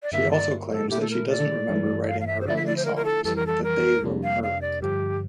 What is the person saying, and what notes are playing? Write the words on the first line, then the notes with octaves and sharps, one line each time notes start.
She also claims that she doesn't remember writing her early songs-that they wrote her.
D5
G2 D3 G3 A#3 E4 E5
D5
A4
A#2 A3 E4 G4
A4
A#4
D5
G2 E3 A3
F5
F5
E5
C5
D3 F3 A3 E4 D5
E5
D5
C5
A#4
A#4
A4
F2 E3 G3 A4
A#4
A4
A#4
F2 C3 G3 A#3 D4
F5
F5
D5
G2 D3 F3 G4